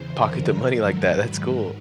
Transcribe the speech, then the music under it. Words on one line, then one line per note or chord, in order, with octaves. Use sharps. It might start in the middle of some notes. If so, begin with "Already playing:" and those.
Pocket the money like that, that's cool.
Already playing: E2 C#3 E3 C5
F#2 D3 F3 A#4
G#2 D#3 F#3 A4
B4
G#2 A#4